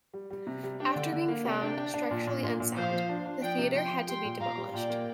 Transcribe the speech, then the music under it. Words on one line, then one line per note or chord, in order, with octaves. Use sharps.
After being found structurally unsound, the theatre had to be demolished.
G3
G3
C3
G3
D4 D5 G5
D3
D3
A#3
C3 D5 G5
D4
D4
D4
A#2
A#2
A#2
A#2
F3 C5 F5
F3
D4
D4
F3 D5 G5
C3
F3 G5 C6
F3
G3 G5 C6
A#2
A#2 F5 A#5
G3
A#2 D5 G5
A#3